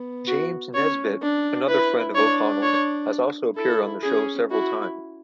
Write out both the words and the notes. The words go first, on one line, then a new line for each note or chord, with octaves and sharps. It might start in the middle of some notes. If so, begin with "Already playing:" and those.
James Nesbitt, another friend of O'Connell's, has also appeared on the show several times.
Already playing: B3
F#4
C#4 C#5
D4
E4 B4
D4 C#5
C#5
E4 A4
C#4 G#4
E4 F#4